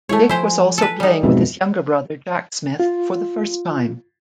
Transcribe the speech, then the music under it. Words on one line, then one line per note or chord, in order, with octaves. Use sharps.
Dick was also playing with his younger brother Jack Smith for the first time.
G#3 A3 E4 A4 C#5
F3 E4 C5 G5 G#5
A4 B4
G3 D#4
F2 G#2 B2 E5
F4